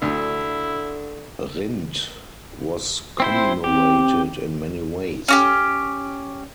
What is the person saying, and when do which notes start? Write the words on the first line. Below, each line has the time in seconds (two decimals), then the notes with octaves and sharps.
Rindt was commemorated in many ways.
0.02 D2 D3 E4
3.20 C4 E4 C5
3.64 C4 G4
5.28 C#4 F#4 G4